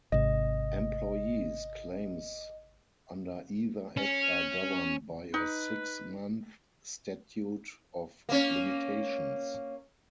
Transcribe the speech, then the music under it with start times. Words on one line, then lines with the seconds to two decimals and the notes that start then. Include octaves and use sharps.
Employees' claims under either Act are governed by a six-month statute of limitations.
0.12 G#1 C3 D#5
3.97 C#4
5.34 D#4 B4
8.29 A#3 C#4